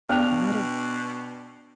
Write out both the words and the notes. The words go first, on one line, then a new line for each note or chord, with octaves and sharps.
it might've
B2 B3 D4 G5 F#6 F7